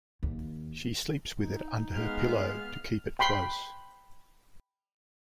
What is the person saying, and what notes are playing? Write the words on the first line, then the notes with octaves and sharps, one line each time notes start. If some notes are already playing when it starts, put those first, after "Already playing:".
She sleeps with it under her pillow to keep it close.
D#2
D#4
G#3 B3 F5 F6
G5 B5 C6